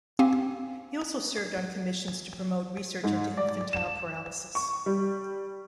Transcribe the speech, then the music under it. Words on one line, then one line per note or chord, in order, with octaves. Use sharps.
He also served on commissions to promote research into Infantile Paralysis.
C4 G4 F5 G#5
G#2
D5
E7
C#6
G3